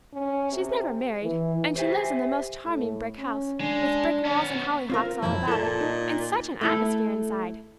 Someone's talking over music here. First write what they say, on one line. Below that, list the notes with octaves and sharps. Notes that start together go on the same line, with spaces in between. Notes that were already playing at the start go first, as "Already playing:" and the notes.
She's never married, and she lives in the most charming brick house, with brick walls and hollyhocks all about it, and such an atmosphere inside!
C#4
C3
E3
G4 C5 E5 G#5
A2
C#4
G#3 D4
B3 C#4
C4 F4 A#4
C2 F#2 F3 E4
A#2 A4 A5
D#4
A3 E4 A4